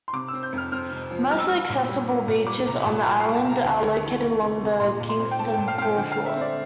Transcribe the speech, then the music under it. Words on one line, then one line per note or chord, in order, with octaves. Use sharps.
Most of the accessible beaches on the island are located along the Kingston foreshores.
C6
C3 D6
E6
C4
G6
F2 F6
C4 F6
C3
F3
G3 F6
E6
G3 F6
A#2
G3
A#3
A#2
G3 D6
C2 A#5
A#2 A5
G3 G5
F5
G3
A5
C2 A#5
D2
D2
E3
D2
C3
C3
A#2 C6
A#2
C6
C4
G5
A3 A5
G5
A#2
F5
C4 F5 G5
D3 G5
F5
A3
E5
C4
D5